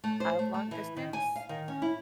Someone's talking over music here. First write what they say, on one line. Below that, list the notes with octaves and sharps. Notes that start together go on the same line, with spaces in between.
of long distance,
A3
C5
A3
A3
E3
D#3
G#5
F5
D#3
C#4
E4